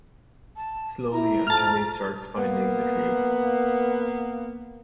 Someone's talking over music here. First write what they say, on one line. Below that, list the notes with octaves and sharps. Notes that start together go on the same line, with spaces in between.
Slowly Anjali starts finding the truth.
A5
E4 A#5
F2 A5 F6
A#3 B3